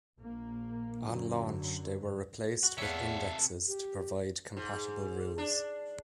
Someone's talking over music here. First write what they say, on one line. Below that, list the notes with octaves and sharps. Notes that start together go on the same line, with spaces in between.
On launch they were replaced with Indexes to provide compatible rules.
A#1 A#3
F#2 D3 F#3
F#4
E2 C3 A4 B4 C#5 E5 F5
G4
G#2
D4